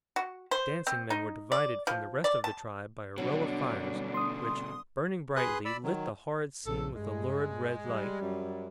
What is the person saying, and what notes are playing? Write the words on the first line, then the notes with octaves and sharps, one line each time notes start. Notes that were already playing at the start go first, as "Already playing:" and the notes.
The dancing men were divided from the rest of the tribe by a row of fires, which, burning brightly, lit the horrid scene with a lurid red light.
F#4
C5
C4
D#4
D5
F3
D5
A5
B2 D3 F#3 G3 B3 D4
C6 D#6
G#4 B4 C6 D#6 F#6
D5 B5 E6
D#3 F#3
A#1 E2 A4
G2 G#3
G3
F#2